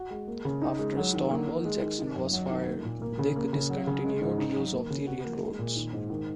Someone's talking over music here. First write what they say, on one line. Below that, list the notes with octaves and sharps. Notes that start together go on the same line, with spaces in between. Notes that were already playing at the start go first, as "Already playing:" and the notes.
After Stonewall Jackson was fired they discontinued use of the railroads.
Already playing: F#4
G#3
A#3
C#3
D#4
G#3
F#3
D#3
A#3
D#3
G#3
D#3
D#3
F#2
F#3
D#3
A#3
A#2
A#3
C#3
A#3
C#3
F#3
C#3
G#3
G#2
D#4
F#3
A#3
C#3
F#4
A#3
G#3
A#2
D#3
G#2
D#3